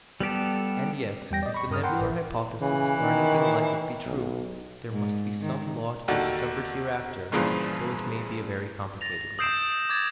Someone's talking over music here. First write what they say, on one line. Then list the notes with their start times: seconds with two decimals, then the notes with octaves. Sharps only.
And yet, if the nebular hypothesis or anything like it be true, there must be some law to be discovered hereafter, though it may be a very complicated one.
0.20 G3 B3 G4 A4
1.31 E2 G3 G5 A#6
1.43 D5 D#5
1.54 B5 C#6
1.70 G2 A#4 D#6 F6
1.83 A#4 F#5 G5 B5 C6
2.01 A1
2.61 C#3 E3
3.01 D#3
4.06 B1
4.90 G#2
5.40 D#3
6.08 D#2 D3 F#4 D5
7.32 G2 A#2 C#3 E3 F3
9.01 A6 A#6 F7
9.39 D#6 E6 G6 C7 D7 E7
9.89 D6 G#6 A6